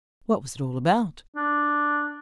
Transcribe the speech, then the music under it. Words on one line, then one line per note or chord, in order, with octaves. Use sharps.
"What was it all about."
D4